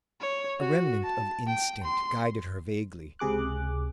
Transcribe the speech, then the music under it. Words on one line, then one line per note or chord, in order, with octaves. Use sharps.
A remnant of instinct guided her vaguely.
C#5
F#4
A5
G5
C6
C#2 C3 G#4 D6 F#6